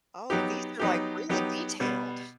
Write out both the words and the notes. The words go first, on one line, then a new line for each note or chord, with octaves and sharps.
Oh, these are like really detailed.
F#3 B3 D#4 G4
F#3 B3 D#4 G4
F#3 B3 D#4 G4
B2 G3 B3